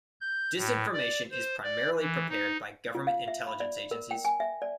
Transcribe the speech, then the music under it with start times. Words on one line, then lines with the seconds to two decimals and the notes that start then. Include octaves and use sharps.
Disinformation is primarily prepared by government intelligence agencies.
0.21 G6
0.57 A2
0.94 D5
1.31 C5
1.64 D5
1.99 E3
2.29 D#4
2.95 F4
3.07 F5
3.28 E5
3.47 B5
3.60 D5
3.91 A#4
4.11 G5
4.25 G#5
4.40 E5
4.62 D5